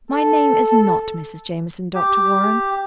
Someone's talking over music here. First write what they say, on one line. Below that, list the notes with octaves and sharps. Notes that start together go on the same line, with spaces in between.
My name is not Mrs. Jameson, Dr. Warren.
A4
G4